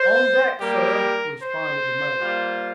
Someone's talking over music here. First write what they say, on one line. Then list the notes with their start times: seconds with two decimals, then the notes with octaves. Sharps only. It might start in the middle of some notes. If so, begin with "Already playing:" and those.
"On deck, sir," responded the mate.
Already playing: C5
0.60 G3 A#3 G4 A#4
1.40 C5
2.20 G3 A#3 F4